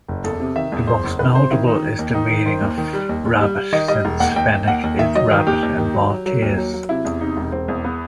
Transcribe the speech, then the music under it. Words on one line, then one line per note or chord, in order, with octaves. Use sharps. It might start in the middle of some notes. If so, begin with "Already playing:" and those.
The most notable is the meaning of "rabbit", since "fenek" is rabbit in Maltese.
F#1
E2 A4
C3
D#3 E5
E2
E2 C5
F#1
D#3 B4
C3 C5
D#3 E4
D#3 D#4
D#3
D#2
D#3 D#4
D#3
D#3 C5
D#2
D#3
G3
D#2
D#2
G3
G3
D#3 D#5
G3 D#5
E1
D#2 F#5
D#2 G5
D#2
D#2 F#5
D#2
D#3 E5
F#3 D#5
D#3
D#2 G4
D#2
D#3
F#3
F#3
F#3
D#2
F#3
F#3
C3 E4
E2
C3 D#4
E1
E1 C4
E2
B3